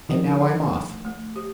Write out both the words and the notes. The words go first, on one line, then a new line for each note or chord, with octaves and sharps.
And now, I'm off.
D#3 F3
D4
A3
A3
G4